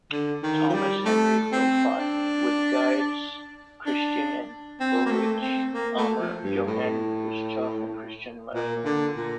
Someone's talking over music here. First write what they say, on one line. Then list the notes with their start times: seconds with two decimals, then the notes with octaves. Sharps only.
Thomas Henry Philpot, with guides Christian and Ulrich Almer, Johann Bischof, and Christian Lauener.
0.12 D3
0.43 D#3
0.69 F3
0.74 G3
1.05 A3
1.52 C4
1.99 D4
3.86 D4
4.80 C4
5.05 A#3
5.11 A3
5.41 C4
5.73 A#3
5.97 A3
6.20 F3
6.44 G2
6.67 A2
8.54 A#2
8.85 D3
9.16 A#2